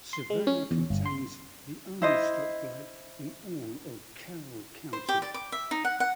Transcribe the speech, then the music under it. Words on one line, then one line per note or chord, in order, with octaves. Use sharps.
Savanna contains the only stoplight in all of Carroll County.
C6
G#3
C#4
E2
G1
C6
E4 C5 D#5
C5
G4
D5
D6
E5
D#4
F#5
F#5